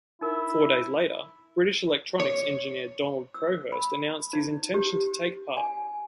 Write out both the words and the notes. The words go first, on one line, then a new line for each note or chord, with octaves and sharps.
Four days later, British electronics engineer Donald Crowhurst announced his intention to take part.
D#4 E4 A#4
C#5
E6
B5
D#4
G4
G#5